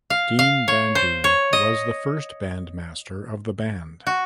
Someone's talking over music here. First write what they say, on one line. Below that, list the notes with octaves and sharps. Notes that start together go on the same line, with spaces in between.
Deen Bandhu was the first bandmaster of the band.
F5
F5
C#5
C5
C#5
D#5
F#4